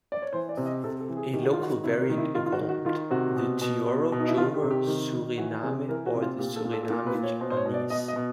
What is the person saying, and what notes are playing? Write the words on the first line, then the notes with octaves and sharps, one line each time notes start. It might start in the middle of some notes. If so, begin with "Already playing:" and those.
A local variant evolved: the "Tyoro Jowo-Suriname" or "Suriname Javanese".
D5
C#5
E3 C5
D5
C3
D#5
C3 A4
A4
E3
G#4
D#3 G4
F#4
F4
D#3 F#4
C3 E4
A#4
D#3
E4
D#3 F4
F4
F#4
D#3
F#4
D#3 F4
C3 F#4
B2
B2
B2
B2
D#4
E4
D#3 F4
G4
C3
G4
D#3
D#3
E3 F#4
C3 G#4
E3 A#4
F#4
C3
F4
A#2 G4
A4
A#2
A4
A4
A#2 A#4
B4
A#2
C#5
B2 C5
C5
C#5
B2
D5
B2 D#5
D#5
B2